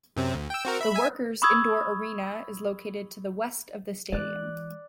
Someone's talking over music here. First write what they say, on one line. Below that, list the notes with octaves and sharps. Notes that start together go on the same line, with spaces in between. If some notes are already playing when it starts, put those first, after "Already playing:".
The Workers Indoor Arena is located to the west of the stadium.
F#2 C3 C4
D2
G5 E6
C4 F#4 A#4
E5 B5
E5 G#5
B5 C#6 D#6 E6 G#6
E3 G#3 D5 F#6